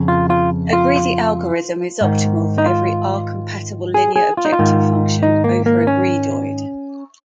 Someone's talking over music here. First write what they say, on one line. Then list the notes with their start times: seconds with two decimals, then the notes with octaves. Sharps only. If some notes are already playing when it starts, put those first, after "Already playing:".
A greedy algorithm is optimal for every R-compatible linear objective function over a greedoid.
Already playing: F2 C#3
0.08 F4
0.30 F4
0.73 F4
2.01 G#2 D#3
2.58 D#4
2.66 F4
3.94 G#4
4.16 G#4
4.37 F4
4.45 D#4
4.52 F4
4.59 G#2 D#3
5.23 D#4
5.44 A#3
5.66 A#3
5.87 C#4